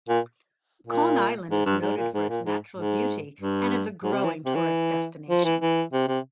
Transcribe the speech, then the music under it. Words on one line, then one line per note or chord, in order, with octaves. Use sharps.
Khong Island is noted for its natural beauty and is a growing tourist destination.
A#2
A#2
G#2
G2
G#2
A#2
G#2
A#2
G#2
G#2
G2
G#2
C3
E3
C3
E3
F3
E3
E3
C3
C3